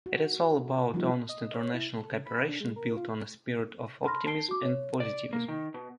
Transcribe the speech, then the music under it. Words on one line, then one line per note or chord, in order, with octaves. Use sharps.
It is all about honest international cooperation built on a spirit of optimism and positivism.
F#4
F3 G3 A#3 D#4 F4
D#5
C#5
E4
A4
C#3
B5
D4
G#3
A#4
F4
A5 B5 C6 F6 A#6
A5 C7 D7 G7
F#4 D6
C#5
D5
A#3
D#3
B2